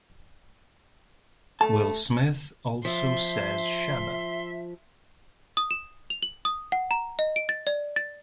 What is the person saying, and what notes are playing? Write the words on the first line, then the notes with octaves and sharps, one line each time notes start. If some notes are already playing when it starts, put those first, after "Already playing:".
Will Smith also says Shabba!
A3 A5
F3 E5 C6
D#6
E7
F7
F#7
D#6
F#5
A#5
D#5
D7
A6
D5
A6